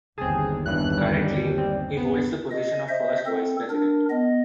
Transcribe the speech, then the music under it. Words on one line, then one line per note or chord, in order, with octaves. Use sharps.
Currently, he holds the position of First Vice-President.
G1 D#2 C4 G#4 A5
E2 G2 E3 F#6
G3
C4
B3
D#5
C5 D#5 E5
C4 A4
D4 A#4
B3 D#5